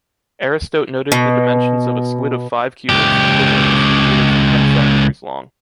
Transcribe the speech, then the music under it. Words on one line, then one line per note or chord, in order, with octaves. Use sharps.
Aristote noted the dimensions of a squid of five cubits, equivalent to three meters and ten centimeters long.
B2
C#2 G4